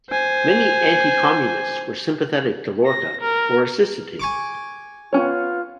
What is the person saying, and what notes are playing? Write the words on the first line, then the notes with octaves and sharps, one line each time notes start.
Many anti-communists were sympathetic to Lorca or assisted him.
C5 G#5
A#6
A#4
G#5 C#6 D6
B3 C#4 F4 C#5